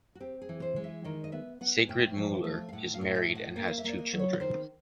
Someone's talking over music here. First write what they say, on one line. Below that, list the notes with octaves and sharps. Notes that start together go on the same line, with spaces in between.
Sigrid Müller is married, and has two children.
F#4
C4 G4
G#4
E3
C5
G#3
E5
D#3 D#5
D#5
B3 E5
B3 F#5
G#5
A2 G5
F3
A3
F5
A2 F#5
F5
A2
E5
A2
F#5
A#3 F5
F5
E5
A#3 D5
D#5
F#3
C#5
D#3 C5